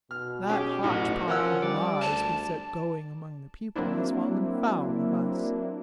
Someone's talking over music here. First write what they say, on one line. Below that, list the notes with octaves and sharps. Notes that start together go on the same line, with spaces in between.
That hotch-pot of lies we set going among the people has fallen foul of us.
B2 F6
C#4 G4 G#4
A1 A2 C#4 F#4 F6
F3 C#4 A#4 F#5 E6
G3 D5
D2 A5
F#3 A#3 C4 D4 E4